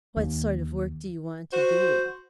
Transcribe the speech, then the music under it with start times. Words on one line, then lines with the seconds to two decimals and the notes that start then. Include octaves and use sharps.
"What sort of work do you want to do?"
0.17 D#2
1.52 F#4 C5